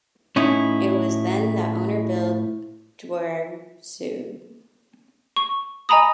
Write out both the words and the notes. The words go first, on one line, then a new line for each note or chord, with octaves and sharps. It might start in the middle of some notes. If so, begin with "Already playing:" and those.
It was then that owner Bill Dwyer sued.
A2 C#4 D#4 E4
C#6
D#5 G#5 A#5 B5 D#6